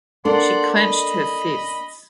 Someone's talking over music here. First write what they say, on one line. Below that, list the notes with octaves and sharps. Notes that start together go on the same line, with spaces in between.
She clenched her fists.
A#3 D4 A4 D5 F#5 C6
D#5 B5